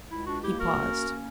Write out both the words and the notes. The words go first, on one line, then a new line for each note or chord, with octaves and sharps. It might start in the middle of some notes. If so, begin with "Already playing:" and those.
He paused.
C#2 E4
D4 F#4
A#3 E4 G4
F#4 A#4
C#4
A#3